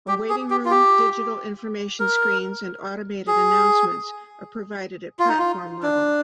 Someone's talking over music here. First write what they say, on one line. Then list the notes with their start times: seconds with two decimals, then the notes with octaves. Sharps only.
A waiting room, digital information screens and automated announcements are provided at platform level.
0.08 G4
0.29 G#4
0.50 G4
0.65 F4
0.71 G4
2.00 A#4
3.27 G#4
5.19 F4
5.29 D#4
5.39 F4
5.83 D4